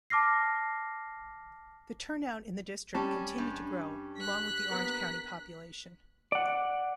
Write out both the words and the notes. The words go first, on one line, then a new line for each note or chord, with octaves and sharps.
The turnout in the district continued to grow along with the Orange County population.
A5 D6 F6 A#6 C7
G3 C#4 A5
G2
F#6 B6
A#3 B3
D5 F#5